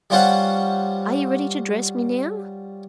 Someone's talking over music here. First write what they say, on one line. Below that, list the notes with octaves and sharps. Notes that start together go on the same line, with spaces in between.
"Are you ready to dress me now?"
G3 C#4 F4 C5 C#5 F#5